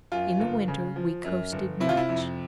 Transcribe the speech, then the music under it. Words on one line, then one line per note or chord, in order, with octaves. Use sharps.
In the winter we coasted much.
F#2 F4
G1
C#3
F3
F#2
G1
C3 E4
F4
E4
F2